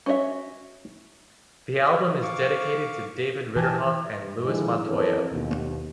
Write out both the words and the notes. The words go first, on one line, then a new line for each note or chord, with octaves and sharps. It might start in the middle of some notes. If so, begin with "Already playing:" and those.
The album is dedicated to David Ridderhof and Louis Montoya.
C#4 F#4 C#5 D#5 E5
F5 C#6 D6
E3 G4 G#5 A5
D3 D#3 F3 G#3 E4
E2 E3 C4 A4 A#4 C#5
D#2 B2